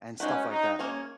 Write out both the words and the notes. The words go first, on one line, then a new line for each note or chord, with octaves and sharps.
and stuff like that.
G#3 C#4 D#4 F#4 B4
D#4
A#3 C#4 G#4 C#5